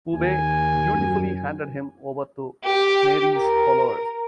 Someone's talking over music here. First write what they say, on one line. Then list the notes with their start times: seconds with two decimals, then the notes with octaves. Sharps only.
Wube dutifully handed him over to Marye's followers.
0.13 D#2 G#5
0.94 F#2
2.64 G4
3.35 A#4